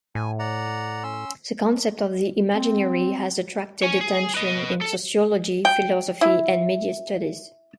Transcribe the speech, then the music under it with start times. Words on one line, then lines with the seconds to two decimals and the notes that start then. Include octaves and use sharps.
The concept of the imaginary has attracted attention in Sociology, Philosophy, and Media studies.
0.15 A2 G#5
0.39 D5 F#5 A#5
1.03 C#4 C6 E6
2.55 C4
3.82 C#5 G#5
4.01 G#4
4.35 B4 D#5
4.81 A4
5.65 G5
6.21 E4